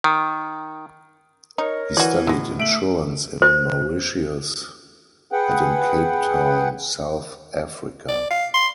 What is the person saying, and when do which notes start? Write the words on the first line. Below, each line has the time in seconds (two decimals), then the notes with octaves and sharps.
He studied insurance in Mauritius and in Cape Town, South Africa.
0.04 D#3
1.58 D#4 A#4 C#5
1.97 E3 F#4 D5
2.27 A2 F#3 G#3
2.60 A3 E5 D7 F#7
3.42 C5
5.32 G#4 B4 F#5 G5
8.08 D5
8.30 F5
8.54 C6